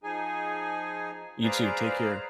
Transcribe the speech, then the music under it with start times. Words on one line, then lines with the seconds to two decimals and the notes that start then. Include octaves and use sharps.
You, too, take care.
0.04 F3 D#4 G#4 G#5
1.43 G#4 B4 C5 D5 F5 A#5